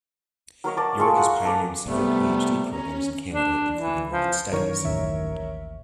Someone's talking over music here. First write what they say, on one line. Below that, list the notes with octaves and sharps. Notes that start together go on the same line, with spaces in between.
York has pioneered several PhD programs in Canada, including women's studies.
F#3 A#4 C#5 D#5
A#4 D5 A5
G#3 F4 A4 C#6
A#4 F#5
A4 D5 A#5
C3 G3 A3 B3
C#4 A#5
D4
E3
F3
F#2 D#3 E3 A#4 C#5
A1 D#2 E5